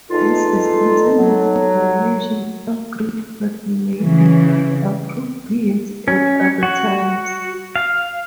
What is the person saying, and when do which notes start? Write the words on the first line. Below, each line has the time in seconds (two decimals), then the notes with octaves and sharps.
This is intended for a version upgrade, but may be appropriate at other times.
0.11 E2 D#4 F4 A4
1.18 F#3
3.99 C#3 E3
6.08 C#4
6.63 F#4
7.76 F5